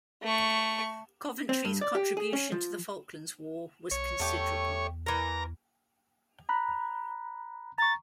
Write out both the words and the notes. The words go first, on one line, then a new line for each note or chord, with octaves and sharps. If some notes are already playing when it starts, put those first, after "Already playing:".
"Coventry"s contribution to the Falklands War was considerable.
A3 C#6
C4
G2
D5
G4
G#4
C#4
F3
B1 C#5
E2 A3 G4
E3 A#4 A#5
A#5 B5 F#6
A#5 C#6 A6